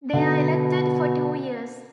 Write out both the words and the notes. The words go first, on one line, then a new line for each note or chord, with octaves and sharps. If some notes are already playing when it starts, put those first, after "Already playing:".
They are elected for two years.
B2 D3